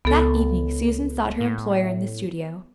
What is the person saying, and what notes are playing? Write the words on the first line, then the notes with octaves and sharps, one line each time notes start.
That evening Susan sought her employer in the studio.
C#2 B3 A4
A2